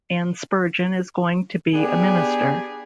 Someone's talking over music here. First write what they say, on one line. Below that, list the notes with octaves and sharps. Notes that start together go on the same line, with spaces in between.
Ann Spurgeon is going to be a minister.
B3 D4 G4 G#4